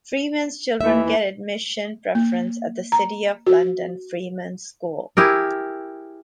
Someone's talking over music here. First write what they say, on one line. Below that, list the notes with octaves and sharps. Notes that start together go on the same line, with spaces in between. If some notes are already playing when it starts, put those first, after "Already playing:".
Freemen's children get admission preference at the City of London Freemen's School.
D#2 E3 E5
A#3
A#5
F#4
E4 G4 G#4 A#4